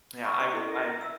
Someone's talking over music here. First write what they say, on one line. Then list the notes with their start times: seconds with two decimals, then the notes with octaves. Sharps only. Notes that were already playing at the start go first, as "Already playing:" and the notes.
Yeah, I r I
0.24 D5 F#5 B5 C#6
0.40 C#4 D5 C6 C#6
0.53 E4 A4 D#5
0.67 A#4
1.01 E5 E6